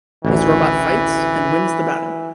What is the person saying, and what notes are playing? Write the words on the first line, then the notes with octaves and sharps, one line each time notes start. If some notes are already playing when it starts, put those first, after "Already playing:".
His robot fights and wins the battle.
A1 D2 E3